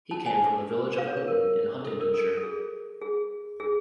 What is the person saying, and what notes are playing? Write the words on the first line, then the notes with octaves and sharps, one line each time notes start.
He came from the village of Houghton in Huntingdonshire.
A5
G#5
F5
C#5
B4
A#4
A4
A#4
A4
A4
G#4
G#4
G#4